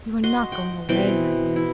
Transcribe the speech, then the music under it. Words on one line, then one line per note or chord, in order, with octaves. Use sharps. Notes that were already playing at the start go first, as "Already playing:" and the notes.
"You are not going away, Magdalen?"
F#4 D#5 C6
F#5 G5
B2 E3 C4 G5
E4